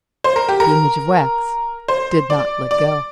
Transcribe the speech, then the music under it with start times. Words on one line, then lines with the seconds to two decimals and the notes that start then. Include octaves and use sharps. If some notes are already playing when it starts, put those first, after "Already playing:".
The image of wax did not let go.
0.24 C5
0.36 A#4
0.49 G4
0.60 A#4
1.88 C5
2.30 D5
2.71 D5